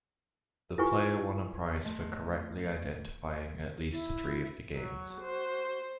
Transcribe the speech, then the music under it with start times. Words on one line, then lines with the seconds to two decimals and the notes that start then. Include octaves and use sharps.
The player won a prize for correctly identifying at least three of the games.
0.78 E4 F4 G4 B4 G#5 C#6
1.85 A3 D#5
3.91 E4
4.75 F#3 F#4
5.20 C5